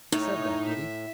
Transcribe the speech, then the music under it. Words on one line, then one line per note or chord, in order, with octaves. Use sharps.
"He said that, did he?"
A2 D#4 C#5
E5